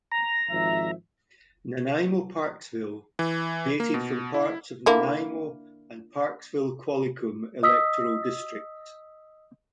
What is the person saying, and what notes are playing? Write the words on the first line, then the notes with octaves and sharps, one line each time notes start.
Nanaimo-Parksville created from parts of Nanaimo and Parksville-Qualicum electoral districts.
A#5
G#1 F3 E5
E3
A#3
B2
E4
D3 A#3 E4
D#5 D#6 E6 B6